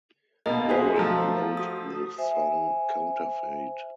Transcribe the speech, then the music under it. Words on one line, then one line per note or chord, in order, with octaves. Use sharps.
Warren wrote the song Counterfeit.
B2 A#3 D#5
F#4 G#4 C5 E5
F3 A3 A#5
F#4 D#6
C5 E5 G#5